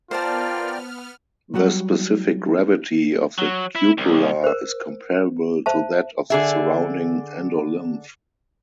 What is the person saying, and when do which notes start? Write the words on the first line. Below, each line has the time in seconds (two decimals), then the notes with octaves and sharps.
The specific gravity of the cupula is comparable to that of the surrounding endolymph.
0.11 B3 F4 A#4 C5 D5 G5 A5 F6
1.54 F#3 G3 F#4 F#5
3.38 F#3
3.75 E4
3.98 C2
4.44 A#4 C5
5.66 C5 E5 A5
6.30 D3 G#4 E5